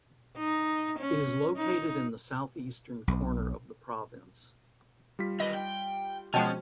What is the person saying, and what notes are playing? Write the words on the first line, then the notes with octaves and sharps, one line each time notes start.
It is located in the southeastern corner of the province.
D#4
C#4
D#4
B1
G3 F4 B6
D#3 B4 D#5
G5
B2 F3 G#3 C#4 G5 A5